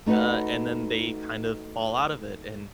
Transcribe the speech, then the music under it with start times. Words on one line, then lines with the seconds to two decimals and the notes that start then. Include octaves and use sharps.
uh, and then they kind of fall out of it, and
0.06 A3 D#4 F#4 B4 F#5